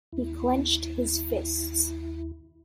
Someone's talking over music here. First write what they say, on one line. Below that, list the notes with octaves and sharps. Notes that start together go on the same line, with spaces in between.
He clenched his fists.
D#2 E4